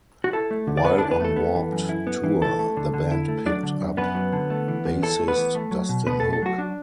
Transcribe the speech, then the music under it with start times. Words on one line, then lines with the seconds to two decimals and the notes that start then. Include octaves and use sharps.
While on Warped Tour, the band picked up bassist Dustin Hook.
0.24 F#4
0.33 E4 A4
0.51 A3
0.67 D3
0.77 D5
0.84 D3 B3 B4
0.98 D4 E4 D5
1.11 B3 B4
1.20 A3 A4
1.36 B3
1.55 E3
1.72 F#2
1.89 E4
2.07 B3
2.24 E3
2.42 E4 A4
2.59 A3
2.77 D3
2.94 D3
3.12 E4
3.28 A3
3.46 F#3 D4 D5
3.63 D3
3.81 F#2
3.97 F#2 B3 B4
4.15 F#3
4.32 D3
4.50 A3
4.68 E3
4.85 E2
5.03 E4 A4
5.19 A3
5.28 B3 B4
5.36 E3
5.55 A3
5.71 F#3
5.89 B2
6.06 B2 B3 B4
6.20 A3 A4
6.33 A4
6.42 F#3 F#4
6.58 D4